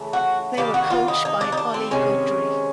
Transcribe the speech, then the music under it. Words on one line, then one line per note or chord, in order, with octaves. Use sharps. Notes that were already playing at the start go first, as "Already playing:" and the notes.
They were coached by Ollie Guidry.
Already playing: C#3 E3 A3
F#4
D#3 G3 A#3 G4
F#4
F4
D#4
D#4
D4
D#4
D4
C4
C3 D#3 G#3 C#4